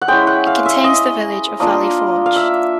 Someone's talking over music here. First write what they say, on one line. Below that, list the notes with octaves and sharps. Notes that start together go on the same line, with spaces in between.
It contains the village of Valley Forge.
F#5
G#3 C#4 E4 G5
F#5
F5
E5
D#5
A#3 D4 F4 D#5
F5
E5